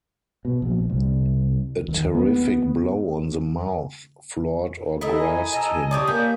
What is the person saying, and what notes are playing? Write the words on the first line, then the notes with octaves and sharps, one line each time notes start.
A terrific blow on the mouth floored or grassed him.
B2
A#1
C2
D#2
B3
E4 A4 A#4 D#5
G#5
D#5 A5 A#5 E6
G4 C#5 D5 A5 D#6
A#3 G#5 G6 B6